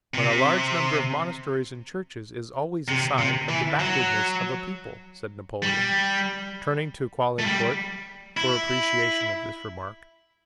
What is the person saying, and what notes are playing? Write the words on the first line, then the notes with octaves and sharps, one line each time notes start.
"But a large number of monasteries and churches is always a sign of the backwardness of a people," said Napoleon, turning to Caulaincourt for appreciation of this remark.
C3
C3
C3
E3
F#3
G3
A3
G3
E4